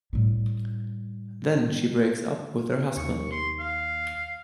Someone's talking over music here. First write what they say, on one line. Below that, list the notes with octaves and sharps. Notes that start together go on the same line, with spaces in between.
Then she breaks up with her husband.
A2 G3
D#2 C#6
C6
F5